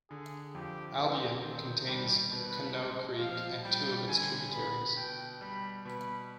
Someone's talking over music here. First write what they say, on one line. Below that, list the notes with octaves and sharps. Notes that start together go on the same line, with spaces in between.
Albion contains Conneaut Creek and two of its tributaries.
D3 G#4
F2 G4
B3 C4
D#3 C4
G3 D4
B2
B4
G#3 C5
F3 F5
G3 G5
D3 G#5
B3 B5
B2 G5
G3 B5
B2 B5